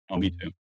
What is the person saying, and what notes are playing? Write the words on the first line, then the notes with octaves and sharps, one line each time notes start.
Oh, me too.
F2